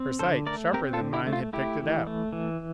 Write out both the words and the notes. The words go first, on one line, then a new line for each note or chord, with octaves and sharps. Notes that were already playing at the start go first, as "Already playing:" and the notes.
Her sight, sharper than mine, had picked it out.
Already playing: C4
D3 A4 C5
A3 A#4 D5
C4 G4 A#4
F4 A4
D3
E4 G4
A3
F4
A3 E4 G4
E3
A3
E3